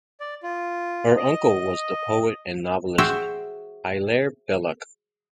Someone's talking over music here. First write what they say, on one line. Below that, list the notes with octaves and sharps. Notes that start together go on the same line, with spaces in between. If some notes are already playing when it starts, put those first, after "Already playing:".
Her uncle was the poet and novelist Hilaire Belloc.
D5
F4
D#5
F#4 G#4 C5 E5 G5